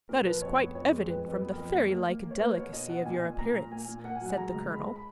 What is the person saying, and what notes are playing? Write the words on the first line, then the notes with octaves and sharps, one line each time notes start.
"That is quite evident from the fairy-like delicacy of your appearance," said the colonel.
A#2 A#4
F3 B4
F2 C#5
B3
F2 C#5
G#3
F2 B4
F2
B4
B3
A#4
F2
A#3
A#3
A#3
A#3
C#5
A#3 B4
B2 C#5
B2 D#5
B2 F#5
A#2 G#5
A#2
A#2 A#5
A#2
A#3 G#5
A#2
A#3 F#5
G#5
F#3 F#5
G#3 A#5
C#2
G#3 B5
B5